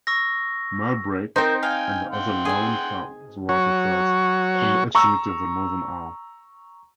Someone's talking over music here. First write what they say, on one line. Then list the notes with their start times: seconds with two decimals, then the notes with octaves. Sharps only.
Mellbreak and the other Loweswater Fells form the extremity of the northern arm.
0.07 C#6 E6 A#6
1.36 C4 D#4 A#4 C5
1.63 F5 G5 G#5
2.13 F#5 G5 C6
2.45 G#4 G#5
3.49 F#3 F#4 C#5
4.95 A#5 C#6 E6